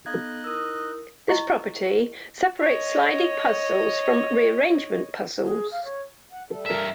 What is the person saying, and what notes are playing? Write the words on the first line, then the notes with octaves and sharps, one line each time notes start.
This property separates sliding puzzles from rearrangement puzzles.
B3 D#4 A4 D#5 F5 F#6 G#6
E4 A#4 D#6 E6
E4 D#5 C#6
C#5 D#5
G#4
F5
C#5
F#5
G3 A3 A4
G2 A#4 E5